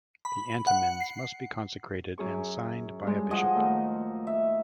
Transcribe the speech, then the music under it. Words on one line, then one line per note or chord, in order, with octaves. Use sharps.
The antimins must be consecrated and signed by a bishop.
B5
F#5
C7
F#2 G#4 C#6
G2 G#3
F3 F#4 G#4 D#5
D#2 A3
E5